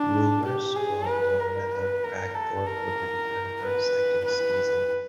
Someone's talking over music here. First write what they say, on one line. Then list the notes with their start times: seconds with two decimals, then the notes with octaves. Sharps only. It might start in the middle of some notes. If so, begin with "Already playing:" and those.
Rumors swirled on whether Kragthorpe would return for a second season.
Already playing: D4
0.44 G4
0.76 G#4
1.08 B4
1.39 A#4
1.71 B4
2.03 A#4
2.34 A4
2.66 A#4
3.61 B4
4.24 B4